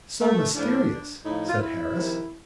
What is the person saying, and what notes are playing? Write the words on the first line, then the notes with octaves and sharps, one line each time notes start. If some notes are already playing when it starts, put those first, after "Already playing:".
"So mysterious!" said Harris.
A3
A2 F3 D4
A2 F3 D#4
F4
E4
F2 C3 D#3 G3